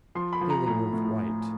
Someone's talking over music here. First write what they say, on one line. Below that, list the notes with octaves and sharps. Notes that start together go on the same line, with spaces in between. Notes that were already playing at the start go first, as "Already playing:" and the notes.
Feeling of white.
F3 C6
B5
F3
A#5
A2 A#5
A2